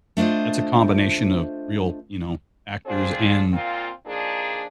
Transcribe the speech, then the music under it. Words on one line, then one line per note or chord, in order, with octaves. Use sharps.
that's a combination of real, you know, actors and
A3 D4 F4 C5 D#5
C4 D4 F4 G#4 C5
A#2 C4 F4
A#2 F3 D4 D#4 G#4